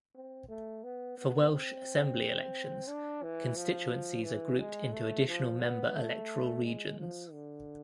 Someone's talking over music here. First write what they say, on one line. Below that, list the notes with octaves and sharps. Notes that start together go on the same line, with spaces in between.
For Welsh Assembly elections, constituencies are grouped into additional member electoral regions.
C4
A3
B3
B3
C4
D4
E3
F3
E3
G#3
A3
F3
B3
A3
G#3
F3
D3